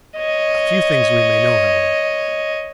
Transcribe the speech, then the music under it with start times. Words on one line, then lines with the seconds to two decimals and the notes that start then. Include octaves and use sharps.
A few things we may know, however.
0.18 C#5 D#5